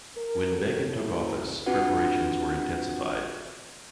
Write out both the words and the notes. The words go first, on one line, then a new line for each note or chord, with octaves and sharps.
When Begin took office, preparations were intensified.
A#4
D#3 F#3 G4 A4
F#3 A3 A#3 C#4 E4
C4 D4 F4 F#4 B4 F#5